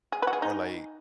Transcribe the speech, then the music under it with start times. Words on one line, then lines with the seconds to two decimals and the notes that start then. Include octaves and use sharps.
or, like,
0.12 G#4
0.22 B4
0.27 F#4
0.33 G#4
0.42 D#4